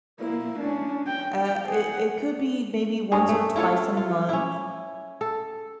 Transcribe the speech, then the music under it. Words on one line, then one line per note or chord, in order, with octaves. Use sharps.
Um, uh, it it could be maybe once or twice a month,
A#3 E4
C#4 D4
G5
G5
G#4 F#5
G2 C#4 G#4
A3
E4 F4 A4 C#5
F4
C#4 E4
A4